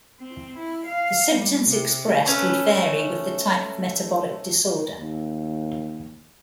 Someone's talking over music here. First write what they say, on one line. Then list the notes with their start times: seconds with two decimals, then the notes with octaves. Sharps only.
The symptoms expressed would vary with the type of metabolic disorder.
0.19 C4
0.57 E4
0.86 F5
1.35 G3
1.65 C3
2.26 A3 C#4 B4
4.98 D#2